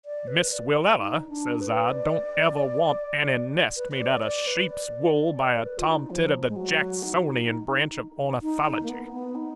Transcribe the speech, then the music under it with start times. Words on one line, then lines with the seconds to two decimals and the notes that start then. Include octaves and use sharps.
Miss Willella,' says I, 'don't ever want any nest made out of sheep's wool by a tomtit of the Jacksonian branch of ornithology.
0.06 D5
0.28 B4
0.51 D5
0.98 D#4
1.29 D4
1.60 B4
1.91 D5
3.77 B4
3.92 B4
4.00 D5
4.23 D5
4.47 B4
4.70 D5
5.57 A#4
5.63 B4
5.78 F4
5.87 D#4
6.10 F3
6.48 G#3
6.56 F#3
7.03 D#4
8.42 D#4
8.66 D#4
8.83 A#3
8.89 B3
9.13 B3
9.35 D#4